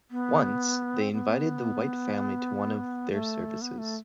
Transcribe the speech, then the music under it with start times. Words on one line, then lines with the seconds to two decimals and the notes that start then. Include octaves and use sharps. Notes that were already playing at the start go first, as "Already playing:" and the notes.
Once they invited the white family to one of their services.
0.11 B3
1.01 C4
1.12 B3
3.12 A3
3.62 B3
3.78 A3